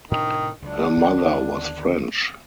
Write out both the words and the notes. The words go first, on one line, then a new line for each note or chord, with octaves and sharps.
Her mother was French.
A2 C3 D#3 D4
C#2 F#3 D4
D#2 D3 B3